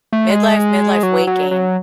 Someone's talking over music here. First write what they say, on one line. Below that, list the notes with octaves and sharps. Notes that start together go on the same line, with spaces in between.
Midlife, midlife weight gain.
A3
G#3
F#3
F#3
F#3